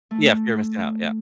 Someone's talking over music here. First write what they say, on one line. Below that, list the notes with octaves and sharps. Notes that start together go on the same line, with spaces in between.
Yeah, fear of missing out, yeah.
A3